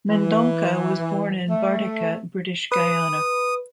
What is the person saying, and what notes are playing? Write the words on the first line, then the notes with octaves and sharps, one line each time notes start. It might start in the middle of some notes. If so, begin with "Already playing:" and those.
Mendonca was born in Bartica, British Guiana.
E3
A3
B4 D#6